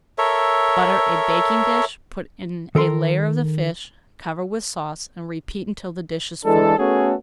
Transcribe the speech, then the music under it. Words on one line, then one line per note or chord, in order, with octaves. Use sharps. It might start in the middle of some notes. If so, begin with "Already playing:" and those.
Butter a baking-dish, put in a layer of the fish, cover with sauce, and repeat until the dish is full.
A4 A#4 C#5 E5
D#3 A4 A#4 C6
E3 G#3 D4 A4
A3 B3 C#4 F#4 G#4 A4